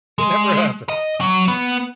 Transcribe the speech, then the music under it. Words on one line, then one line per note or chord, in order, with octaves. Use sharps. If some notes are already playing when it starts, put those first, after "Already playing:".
it never happens.
G#3
D#5
F#3
B3